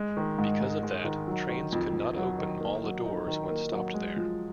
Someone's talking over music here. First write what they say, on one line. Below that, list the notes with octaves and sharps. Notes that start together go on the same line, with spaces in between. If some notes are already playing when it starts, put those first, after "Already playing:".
Because of that, trains could not open all the doors when stopped there.
Already playing: G#3
D#3
G#2
G#2
G#3
D#3
F#3
D#3
F2
F2
F#3
D#3
A#3
F#3
D#4
D#3
A#3
F#3
G#3
F3